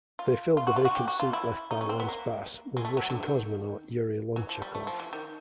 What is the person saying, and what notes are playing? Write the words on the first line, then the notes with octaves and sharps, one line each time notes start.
They filled the vacant seat left by Lance Bass with Russian cosmonaut Yuri Lonchakov.
F4
F4
F#4
F4
F#4
G4
F#4
F4
E4
D#4
C#4
C4
B3
A#3
G#3
A3
F#3
D3
D#3
E3
F3
G3
A3
F3
E3
D#3